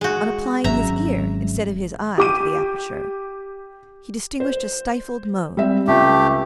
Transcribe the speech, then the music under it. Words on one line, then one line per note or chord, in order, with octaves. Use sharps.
On applying his ear instead of his eye to the aperture, he distinguished a stifled moan.
G#3 F#4
G#1 F#3 C#4 E5 A#5
G4 D6 D#7
C5
G3 C4 E5
C#2 A3 G4